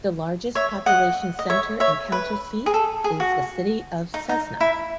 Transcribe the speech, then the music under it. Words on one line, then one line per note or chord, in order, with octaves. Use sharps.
The largest population centre and council seat is the city of Cessnock.
C#5 E5
D#5 F#5
D#5
C#5 E5
C#5 E5
B4
G#4
A4
G#4
F#4
D#4
D#4
E4